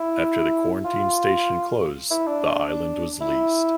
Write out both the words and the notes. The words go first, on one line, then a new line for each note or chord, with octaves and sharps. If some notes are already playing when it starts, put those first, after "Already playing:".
After the quarantine station closed the island was leased.
Already playing: E4
F4
E4
D4
E4